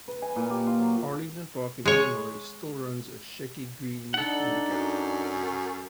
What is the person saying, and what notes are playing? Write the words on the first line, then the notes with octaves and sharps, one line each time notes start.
Arlington Park in Illinois still runs a Shecky Greene Handicap.
B4
G#5
A#2
G4
F4
F#3
G#3 C#5
D4 D#4 A4 F#5
F#2